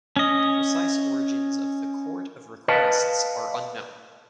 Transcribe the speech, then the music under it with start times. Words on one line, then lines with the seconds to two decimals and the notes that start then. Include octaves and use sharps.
The precise origins of the Court of Requests are unknown.
0.16 C#4 D#5
2.68 B4 D#5 F5 A5